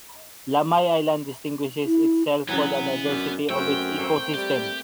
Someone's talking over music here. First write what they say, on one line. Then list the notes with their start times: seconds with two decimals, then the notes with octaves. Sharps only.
Lamay island distinguishes itself for the diversity of its ecosystem.
1.86 E4
2.49 C#3 E3 F#3 B3
3.05 F#2 D4
3.50 F#2 A3 C4 G5
3.99 A3 A#3 C4
4.34 G3 G4